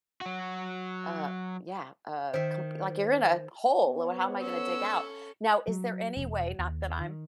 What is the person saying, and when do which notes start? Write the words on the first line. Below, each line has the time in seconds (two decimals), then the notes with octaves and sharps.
uh, yeah, uh, com like you're in a hole, "L how am I gonna dig out?" Now, is there any way, not that I'm
0.21 F#3 F#4
2.34 D#3 C5 E5
3.86 B3 C5 C#5
4.42 C#4 A4 E6
5.68 F#3
6.17 E1
6.59 D#2
7.01 D#3